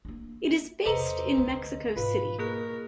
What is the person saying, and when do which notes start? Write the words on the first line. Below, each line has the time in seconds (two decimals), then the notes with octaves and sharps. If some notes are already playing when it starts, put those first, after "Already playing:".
It is based in Mexico City.
0.05 A#3 D4
0.85 E2 C3 A4 B4 C5 D#5 A#5
1.38 D2
1.96 G#2 B2 F4 B4
2.39 A#3 G#4 A#4 F#6